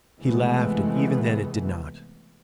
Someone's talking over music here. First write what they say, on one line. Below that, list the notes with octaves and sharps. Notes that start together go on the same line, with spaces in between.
He laughed, and even then it did not.
C3 E3 G#3 A3 B3